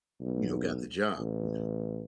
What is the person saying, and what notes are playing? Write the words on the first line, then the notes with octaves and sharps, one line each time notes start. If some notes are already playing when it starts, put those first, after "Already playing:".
you know, got the job, you know
B1
A1